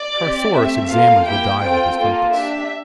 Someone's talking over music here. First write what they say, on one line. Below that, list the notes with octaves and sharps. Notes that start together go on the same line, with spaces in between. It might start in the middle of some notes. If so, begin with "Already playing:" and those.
Carthoris examined the dial of his compass.
Already playing: D5
C4 G4
A3 C4 G4 E5
A#3 F4 A4 F5
A#3 E4 G4 G5
C4 F4 A4 G5
A#3 F4 A4
D4 G4 E5